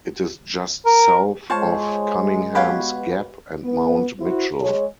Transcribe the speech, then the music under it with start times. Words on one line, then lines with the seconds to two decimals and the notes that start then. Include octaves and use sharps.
It is just south of Cunninghams Gap and Mount Mitchell.
0.86 A#4
1.50 G#3 F4 C5 C#5 A5
2.55 B3 F#4 G4 B4 C#5 F5
3.64 B3
4.20 E4 F#4 C5
4.61 G#3 C#5